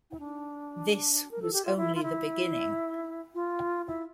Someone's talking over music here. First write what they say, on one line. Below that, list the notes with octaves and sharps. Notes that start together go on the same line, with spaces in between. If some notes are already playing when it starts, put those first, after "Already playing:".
This was only the beginning.
E4
D4
A#4
A4
G4
F4
E4
F4
E4
F4
E4